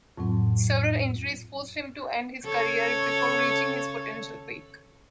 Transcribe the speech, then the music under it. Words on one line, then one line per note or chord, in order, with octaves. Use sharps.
Several injuries forced him to end his career before reaching his potential peak.
F2 A2 F#3 C4
C#3 A4 C#5